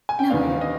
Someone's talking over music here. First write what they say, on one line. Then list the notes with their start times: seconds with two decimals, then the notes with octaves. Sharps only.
No, yeah.
0.09 G#5
0.19 G5
0.29 D#2 D#3 B3 D4 F5
0.61 D#5